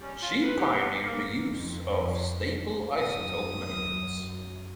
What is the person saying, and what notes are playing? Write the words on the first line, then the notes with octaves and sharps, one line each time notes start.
She pioneered the use of stable isotope measurements.
G3 C#4
F4
C3 B4
B3 G4
A#3
F2
F#2 D#6